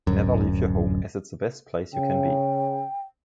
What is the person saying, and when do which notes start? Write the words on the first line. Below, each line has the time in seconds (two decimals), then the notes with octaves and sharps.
Never leave your home, as it’s the best place you can be.
0.07 D1 F#2
1.93 C#3 G5